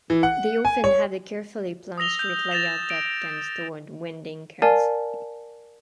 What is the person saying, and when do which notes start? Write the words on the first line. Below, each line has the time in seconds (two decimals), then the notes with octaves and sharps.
They often have a carefully planned street layout that tends toward winding curves.
0.10 E3
0.23 F#5
0.65 G#5
0.84 C#5
1.98 D#6 E6 A#6 F7 G7
2.19 G6
2.51 A6 A#6 E7 F7
2.90 D7
4.62 A#4 D5 F5 G#5 A5